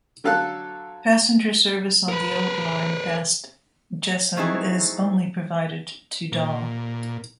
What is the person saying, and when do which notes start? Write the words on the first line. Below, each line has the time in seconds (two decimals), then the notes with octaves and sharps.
Passenger service on the old line past Jessheim is only provided to Dal.
0.24 D3 F#3 A4 F5 A5 F#6
2.09 A#4 B4
4.37 F#3 A3 C4 D#4 E4 G#4
6.32 A#2